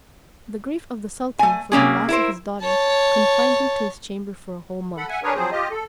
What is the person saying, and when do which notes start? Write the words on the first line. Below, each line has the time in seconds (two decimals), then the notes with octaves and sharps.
The grief of the sultan for the loss of his daughter confined him to his chamber for a whole month.
1.39 A3 G#5
1.72 C3 A#3 C#4 G#4
2.09 E4 A#4 C5
2.62 C#5 A5
4.97 A4 F#5 B5
5.08 E5 F#5 G#5
5.23 D4 G#4 A#4 B4 C#5
5.35 F3 F#3 C4 G#4 C5
5.51 F4 G4 D#5
5.71 A4